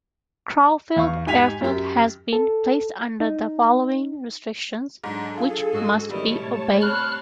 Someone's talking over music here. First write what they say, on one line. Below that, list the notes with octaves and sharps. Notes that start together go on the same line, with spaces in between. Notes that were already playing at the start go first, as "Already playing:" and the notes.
Crowfield Airfield has been placed under the following restrictions which must be obeyed.
E2 F5 C#6
G#2 G4 G5 G#5 B6 F7
F#2 G4
A4
D#4
G#2 F#3 D4 G#4 A4
F4
G#2 F#4
D#3 G3 B3 E4 C#5 A5
A2 C3
C4 B5 F6 F#6